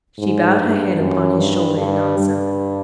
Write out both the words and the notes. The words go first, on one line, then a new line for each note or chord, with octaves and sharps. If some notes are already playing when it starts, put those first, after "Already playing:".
She bowed her head upon his shoulder in answer.
G#2
G2
F#2
G2
G2
G2